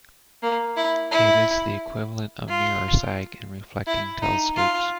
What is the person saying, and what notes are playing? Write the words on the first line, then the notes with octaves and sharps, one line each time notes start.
It is the equivalent of mirror sag in reflecting telescopes.
A#3
E4
E4
F4
E4
D#4
F4